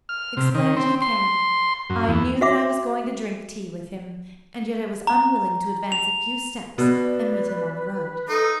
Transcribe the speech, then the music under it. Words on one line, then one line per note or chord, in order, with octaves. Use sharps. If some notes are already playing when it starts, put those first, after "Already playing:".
Explain it who can--I knew that I was going to drink tea with him, and yet I was unwilling to advance a few steps, and meet him on the road!
F6
C3
D#3
C4
C6
F#2
E2
F#4 E5 D6
A#5
F7
B2 B4 D5
D#4 A4